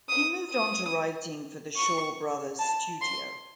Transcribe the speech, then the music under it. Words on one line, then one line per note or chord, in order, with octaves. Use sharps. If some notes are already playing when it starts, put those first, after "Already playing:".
He moved on to writing for the Shaw Brothers studio.
D#6
D#6
C#6
A5
C6